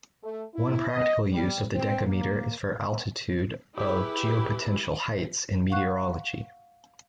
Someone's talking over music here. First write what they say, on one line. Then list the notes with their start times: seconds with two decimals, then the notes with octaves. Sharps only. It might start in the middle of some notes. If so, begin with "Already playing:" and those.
One practical use of the decameter is for altitude of geopotential heights in meteorology.
0.22 A3
0.54 E4
0.87 D#5
1.33 G3
1.73 C4
2.06 A#3
3.75 E4 G4 G#4 B4
5.70 F5 F#5 C#6 F#6